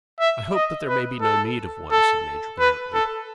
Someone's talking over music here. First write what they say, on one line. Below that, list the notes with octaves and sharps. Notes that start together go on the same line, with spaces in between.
"I hope there may be no need of one," said Major Grantly.
E5
D#5
B4
A4
A4
B4
A4